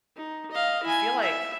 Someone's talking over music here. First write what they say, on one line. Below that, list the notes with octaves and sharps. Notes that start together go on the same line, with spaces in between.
I feel like
D#4
D#5 F5
E4 G#5
E5